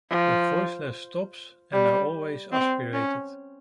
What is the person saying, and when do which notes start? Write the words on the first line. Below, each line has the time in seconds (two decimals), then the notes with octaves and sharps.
The voiceless stops and are always aspirated.
0.11 F3
1.73 G3
2.53 C4
2.94 C#4